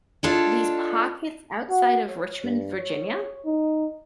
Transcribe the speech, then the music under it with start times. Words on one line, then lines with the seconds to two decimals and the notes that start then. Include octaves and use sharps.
these pockets outside of Richmond, Virginia,
0.23 D4 F4 A4 C#5 D#5
1.70 F#4
2.08 C#5
2.44 G2
2.78 C#5
3.46 D#4